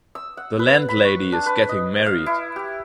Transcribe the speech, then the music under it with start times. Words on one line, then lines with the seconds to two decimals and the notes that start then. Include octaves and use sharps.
The landlady is getting married.
0.15 E6
0.37 F#5
0.59 B4
0.89 B5
1.04 C#6
1.32 D4
1.46 B4
1.69 D#5
2.06 F5
2.26 E4
2.56 G4